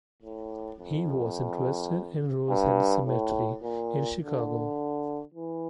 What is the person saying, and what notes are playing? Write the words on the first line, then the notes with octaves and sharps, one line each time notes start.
He was interred in Rosehill Cemetery in Chicago.
A2
F2
G2
A2
A#2
D3
E3